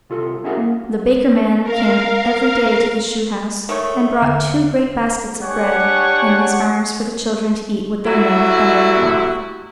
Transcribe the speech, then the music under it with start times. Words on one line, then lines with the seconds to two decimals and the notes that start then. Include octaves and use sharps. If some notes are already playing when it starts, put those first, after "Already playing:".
The baker-man came every day to the shoe-house, and brought two great baskets of bread in his arms for the children to eat with their milk and their broth.
0.10 C2 F4 A4
0.44 C#4 D#4 E4 F#4 G#4 A#4
0.57 A#3
1.63 A#4 F5
3.69 D#3 A3 C#5
4.22 E2 D3
5.43 D4 G4 C#5 F#5 G#5 C#6
8.07 F#3 G3 A3 E4 F#4